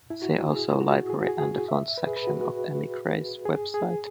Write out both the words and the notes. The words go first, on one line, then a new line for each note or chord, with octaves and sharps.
See also library and the fonts section of Emigre's website.
E4
F#4
G#4
F#4
G#4
F#4
G#4
G#4
E5
B4
G#4
B4
F#4
G#4
G#4